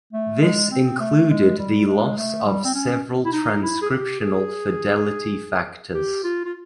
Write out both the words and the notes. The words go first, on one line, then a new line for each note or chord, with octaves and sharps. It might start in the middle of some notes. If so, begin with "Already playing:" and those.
This included the loss of several transcriptional fidelity factors.
A3
G#3
C4
A3
G#3
G3
G#3
A3
G3
C4
C#4
E4
D#4
E4
G#4
G4
G#4
G4
F4
F4